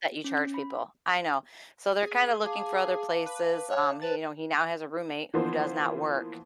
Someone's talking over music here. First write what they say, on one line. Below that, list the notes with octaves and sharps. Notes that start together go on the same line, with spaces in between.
that you charge people. I know. So they're kinda looking for other places. Um, he you know he now has a roommate who does not work.
C#4
B5
G#4
G#4 F5 A5 D6
B4
C#5 F#6
B4 C5 A5 A6
E3 F3 A#3 B3 C5